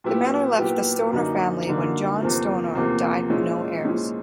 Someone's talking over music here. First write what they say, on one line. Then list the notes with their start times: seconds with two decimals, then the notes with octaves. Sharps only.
The manor left the Stonor family when John Stonor died with no heirs.
0.04 A#2 F#3 B3 E4 G4
0.58 A#2 F#3 B3 E4 G4
1.13 F#2 D3 F#3 A#3 D#4
1.67 F#2 D3 F#3 A#3 D#4
2.21 E2 C3 F3 A#3
2.75 E2 C3 F3 A#3
3.30 A#2 F3 G#3 C#4 E4
3.84 A#2 F3 G#3 C#4 E4